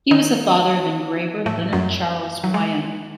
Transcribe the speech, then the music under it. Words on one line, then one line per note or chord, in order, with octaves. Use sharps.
He was the father of engraver Leonard Charles Wyon.
D#3 D#4
A2 A3
F#2 F#3
F#3
G#3